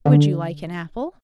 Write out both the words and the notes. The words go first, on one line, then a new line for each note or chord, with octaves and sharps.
"Would you like an apple?"
D3